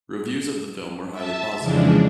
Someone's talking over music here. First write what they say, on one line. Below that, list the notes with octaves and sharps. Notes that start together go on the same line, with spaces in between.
Reviews of the film were highly positive.
E5 A5
F2 C#3 E3 F3 G#3 D4